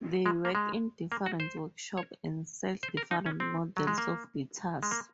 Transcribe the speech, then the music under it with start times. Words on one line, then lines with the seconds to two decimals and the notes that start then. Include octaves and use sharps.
They work in different workshops and sell different models of guitars.
0.26 G#3
0.45 A#3
0.55 G#3
1.12 A#3
1.26 F#4
1.40 C5
1.97 C#5
2.83 C5
2.97 A#4
3.11 D#4
3.26 C#4
3.40 C4
3.77 F#3
3.87 G#3
3.98 A#3
4.83 G#3
4.91 A#3